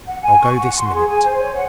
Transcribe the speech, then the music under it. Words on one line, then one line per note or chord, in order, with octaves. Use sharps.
I'll go this minute.'
F#5
G#5
C#6
F#5
C6
G#4
G#5
C5
C#5
F#5